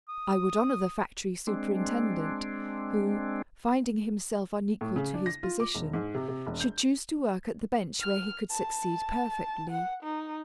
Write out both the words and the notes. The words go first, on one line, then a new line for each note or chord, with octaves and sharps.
I would honor the factory superintendent, who, finding himself unequal to his position, should choose to work at the bench where he could succeed perfectly.
D#6
G#3 C4 D4
A2
C#3
D4
A#6
F4
D6
E1
G#2
C3
C3
E1
G6
F6
A5
F#5
D#4